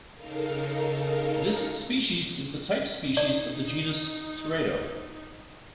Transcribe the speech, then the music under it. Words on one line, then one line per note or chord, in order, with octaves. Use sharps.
This species is the type species of the genus "Teredo".
C#3 D#4 A4 A#4 F5
D#4 D5